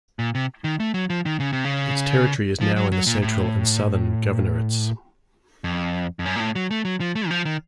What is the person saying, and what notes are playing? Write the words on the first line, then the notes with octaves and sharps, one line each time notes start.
Its territory is now in the Central and Southern Governorates.
A#2
C3
D#3
A3
F#3
F3
D#3
C#3
C3
C#3
F3
F#3
F#3
A#2
A2
F2
F2
F#2
A#2
A2
F#3
A3
F#3
F3
A3
D#3
F3
D#3